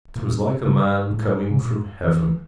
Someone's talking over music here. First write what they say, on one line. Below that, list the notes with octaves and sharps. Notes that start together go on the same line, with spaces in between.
It was like a man coming from heaven.
A#2
C#3
A2
C#3
A#2
E3